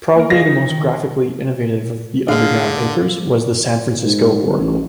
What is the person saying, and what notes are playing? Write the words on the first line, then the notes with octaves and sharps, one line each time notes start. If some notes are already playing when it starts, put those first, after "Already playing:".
Probably the most graphically innovative of the underground papers was the "San Francisco Oracle".
A#3 A#4
G#4 D#5 F5 A#6
D#4
D#3
D3 D4 G#4 D5 F5
G#2
G1
A1